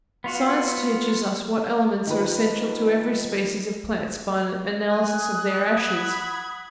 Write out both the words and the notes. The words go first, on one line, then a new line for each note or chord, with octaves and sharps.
Science teaches us what elements are essential to every species of plants by an analysis of their ashes.
B3 F4 F#4
D#3 F3 B4
G#5 D#6 F#6
F#5 B5 G#6